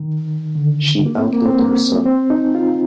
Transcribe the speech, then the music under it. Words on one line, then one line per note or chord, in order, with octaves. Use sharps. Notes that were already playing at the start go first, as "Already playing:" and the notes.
She outlived her son.
Already playing: D#3
D3
A#3
C4
A#3
C4
A#3
C4
D#4
F4